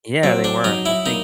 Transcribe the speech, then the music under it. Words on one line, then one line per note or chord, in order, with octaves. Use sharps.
Yeah, they were, and I think
F#3 C4
D4
F#3 D#4
E4
A#3 D#4